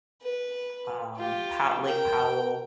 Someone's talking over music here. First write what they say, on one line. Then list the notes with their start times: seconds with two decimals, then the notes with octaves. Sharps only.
um, Po Lake Powell,
0.22 B4
1.16 F4 G4
1.85 A#4 G5